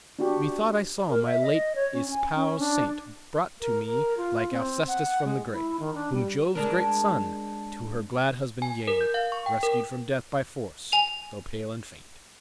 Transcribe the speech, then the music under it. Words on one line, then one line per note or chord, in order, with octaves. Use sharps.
"Methought I saw my late espoused saint Brought to me like Alcestis from the grave, Whom Jove's great son to her glad husband gave, Rescued from death by force, though pale and faint."
D4 F#4 G4
A#4
E5
D#5
C#5
C#4
G#5
C#4
D4
A#4
A#4
F4
C4
F#5
G#3
E4
D#3
D4
G3
G#3 D4 A#4
G#5
A#4
G6
F5
C#6
G5
A#4
G#5 F7